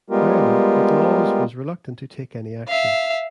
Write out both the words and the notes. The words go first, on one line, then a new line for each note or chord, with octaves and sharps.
However, McLaws was reluctant to take any action.
G3 G#3 B3 F4 G4 A#4
E5 F5